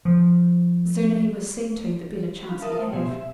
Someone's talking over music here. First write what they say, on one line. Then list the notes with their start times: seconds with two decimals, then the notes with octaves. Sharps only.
The sooner he was seen to, the better chance he'd have.
0.05 F3
2.49 F5 B5
2.62 A#4 E5 F5 A5 D#6
2.79 A3 C5
2.93 B2 B3 G4 E5 G#5 C6
3.11 E5